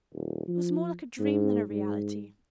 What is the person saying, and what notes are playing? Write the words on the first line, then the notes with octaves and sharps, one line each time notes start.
It was more like a dream than a reality.
D#1
F3
G#2
G#2